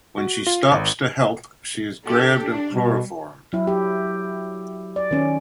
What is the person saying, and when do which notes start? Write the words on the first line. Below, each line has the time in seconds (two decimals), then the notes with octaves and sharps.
When she stops to help, she is grabbed and chloroformed.
0.18 F#4
0.47 F4
0.72 G#1
2.05 D4 G4 A4
2.42 D4
2.74 B2 G3
3.53 F#3 E4
3.67 G4
4.96 D5
5.11 D#3 C#4